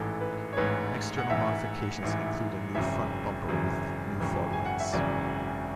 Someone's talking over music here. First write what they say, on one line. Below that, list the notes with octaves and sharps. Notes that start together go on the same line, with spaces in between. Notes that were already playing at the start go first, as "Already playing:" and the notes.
External modifications include a new front bumper with new foglights.
Already playing: A1 G#2 E3 A4
B4
C#5
A1 G#2 E3 B4
F#5
A1 G#2 E3 E5
A1 G#2 E3
G#1 F#2 C#3 E3 E5
G#1 F#2 C#3 E3
G#1 F#2 C#3 E3
G#5
F#5
E5
G#1 F#2 C#3 E3 D5